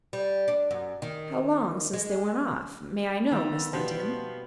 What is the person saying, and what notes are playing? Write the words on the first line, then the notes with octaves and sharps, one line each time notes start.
"How long since they went off--may I know, Miss Linton?"
G3
D4
F#2
D#3
G#3
F2 D#3 B3 G5
B2 F3 G3 B3 D5
G5